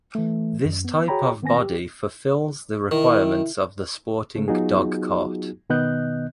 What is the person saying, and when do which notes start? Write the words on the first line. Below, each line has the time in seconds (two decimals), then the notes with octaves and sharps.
This type of body fulfils the requirements of the sporting dogcart.
0.15 E3 A3
0.65 F#2
0.85 B3
1.08 F#4 G#4 C#5 G5 A#5 B5
1.42 D#3 B3 C4 G#5 A#6
1.59 G4
2.91 D#3 E4
4.36 C#3 A3
4.48 F#3 B3 D#4 F4 F#4 G#4
5.70 B2 D#3 B3 D#5 F#6 G6